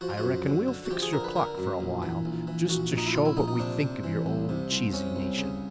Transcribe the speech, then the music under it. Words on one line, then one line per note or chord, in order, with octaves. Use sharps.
I reckon we'll fix your clock for a while just to show what we think of your old cheesy nation.
F3 F#4
F4
F#4
F#2
D3
D3
F#4
F3 G4
G#4
D3 A#4
B4
D3 A#4
F#2
A#1
E3
A#1
E3
A#1 F#4
A#1
D#4
E4
A#1 F4
E4
A#1 D#4
D#4
C3 D4
C3
E3
C2
C3
C2
C3 C#4
C2
C#3